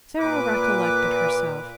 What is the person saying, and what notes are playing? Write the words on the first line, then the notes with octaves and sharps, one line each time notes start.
Sara recollected herself.
A#2 B4 D6